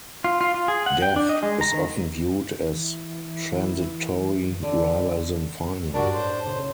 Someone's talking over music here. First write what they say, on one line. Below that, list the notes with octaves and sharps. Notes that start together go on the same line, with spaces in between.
Death is often viewed as transitory rather than final.
F4
F4
F4
G#4
F#5
G5
D4
D#5
G#3
A#5
D#3
E3
D3
F#1 G2 G3 D4 F#4 A#4 F#5
A2 C5
B1 C#3